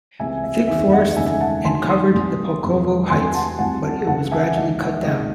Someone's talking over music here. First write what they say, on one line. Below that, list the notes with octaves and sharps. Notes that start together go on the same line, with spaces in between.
Thick forest and covered the Pulkovo heights, but it was gradually cut down.
C#2 C3 E3 C4 E5 G#5
E5
F#1 E2 D#3 E5
D#5 F#5
E1 D#2 C#3 E3 A3 E5 G#5
F#5 A5
D#2 D#3 F#3 G#5 C6
C6 D#6
C2 C3 F#3
E1 E2 C3 E3 G#3
E2 C3 F#3 A3 G#5 C6
F#5 A5
C2 C3 F#3 F#5 A5
C#2 C#3 E3 F#5 A5
E5 G#5
E1 D#2 D#3 D#5 F#5
E5
C#2 C3 D#3 G#3 D#5